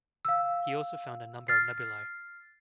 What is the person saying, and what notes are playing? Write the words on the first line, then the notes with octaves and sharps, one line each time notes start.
He also found a number of nebulae.
F5 E6
F6 A6 C7